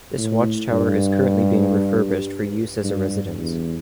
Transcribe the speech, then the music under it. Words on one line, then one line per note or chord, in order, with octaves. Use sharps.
This watchtower is currently being refurbished for use as a residence.
A2
G2
G2
E2